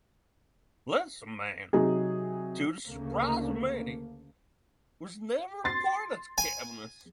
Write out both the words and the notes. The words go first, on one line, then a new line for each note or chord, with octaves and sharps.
Lissaman, to the surprise of many, was never appointed to cabinet.
C3 F#3 D#4 G#4
D2 C#3 A3 A#3
C6 A6 C7
G#5